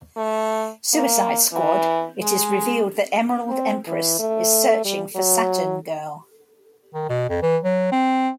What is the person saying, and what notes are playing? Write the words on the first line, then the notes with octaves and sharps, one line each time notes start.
Suicide Squad, it is revealed that Emerald Empress is searching for Saturn Girl.
A3
A#3
E3
G#3
C4
E3
A3
G3
F#3
D#3
B2
F2
E3
F#3
C4